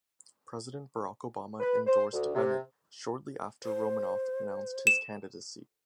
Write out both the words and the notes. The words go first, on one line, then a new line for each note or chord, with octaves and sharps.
President Barack Obama endorsed Bennet shortly after Romanoff announced his candidacy.
B4
C5
D2
C3
C5
E7